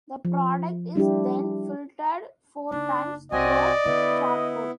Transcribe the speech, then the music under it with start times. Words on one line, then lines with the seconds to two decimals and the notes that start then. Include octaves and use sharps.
The product is then filtered four times through charcoal.
0.25 F3
0.95 G3 D4 E4 G4
2.71 F#1 D4 D#4
3.32 C2 C4 F#4 D5 D#5 G#5
3.86 D3 B3 E4